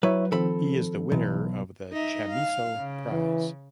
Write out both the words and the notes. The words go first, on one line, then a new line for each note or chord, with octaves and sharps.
He is the winner of the Chamisso Prize.
F#3 E4 B4 C#5 E5
D#3 F3 C4 A4 B5
B1 E3
D#4 E5
F5
C#3
E3